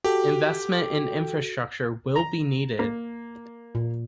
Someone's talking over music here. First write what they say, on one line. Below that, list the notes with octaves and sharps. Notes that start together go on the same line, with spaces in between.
Investment in infrastructure will be needed.
F#4 G4 A4
A#5
A#3
A#2